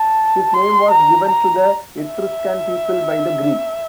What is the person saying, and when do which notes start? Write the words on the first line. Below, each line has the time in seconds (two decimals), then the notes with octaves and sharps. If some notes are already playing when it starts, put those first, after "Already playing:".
His name was given to the Etruscan people by the Greeks.
Already playing: A5
0.53 C6
0.91 A#5
1.28 A#5
2.03 E5